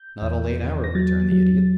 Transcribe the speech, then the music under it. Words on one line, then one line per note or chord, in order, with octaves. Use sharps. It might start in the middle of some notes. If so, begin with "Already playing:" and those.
"Not a late hour," returned the Idiot.
Already playing: G6
E2
E2
A#6
F#3 A6
F#3